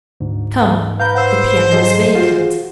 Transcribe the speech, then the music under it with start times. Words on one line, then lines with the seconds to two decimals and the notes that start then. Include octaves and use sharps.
Come! the piano's vacant.'
0.20 D2 G#2
1.00 B4 F5 A#5 G6
1.15 C5 F#5 E6
1.73 F#3 G#4 A4 D#5
2.15 F4 F#4